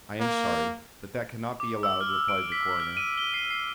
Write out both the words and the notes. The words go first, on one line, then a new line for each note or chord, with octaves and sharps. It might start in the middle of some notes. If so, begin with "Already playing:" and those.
"I am sorry, but that cannot be allowed," replied the coroner.
A#3
D6
E6
F6
D7
B6
F6
D#7
G7
C7
C7